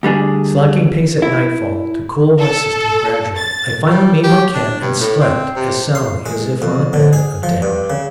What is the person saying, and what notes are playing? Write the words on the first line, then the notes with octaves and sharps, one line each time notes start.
Slackening pace at nightfall to cool my system gradually, I finally made my camp and slept as soundly as if on a bed of down.
D2 G3 D4 G#4
E4
A4
A6
G3
G4
D4
G2
A2
C4
C3
C6
G#3
F2
D3
G#4
F3
G2
C#3